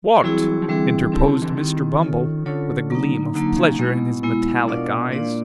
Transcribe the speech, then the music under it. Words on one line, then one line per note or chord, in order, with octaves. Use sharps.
What?' interposed Mr. Bumble: with a gleam of pleasure in his metallic eyes.
E3 F#3 G3 C4 E4 G#4
F3
D3 E3 G3 C4 E4 G#4
D3 C4 E4 G4
D3
D3 E3
D#3 C4 E4 G4
C#4 F4 A4 C#5
D3 C#4 F4 A4 C#5
F#3 A#3 D#4
D3 F#3 A#3 D#4
C#3
B2 G#3 B3 E4
G#3 B3 E4
B2 D4 F4 A#4 D5 F5
A#2 D4 F4 A#4 D5 F5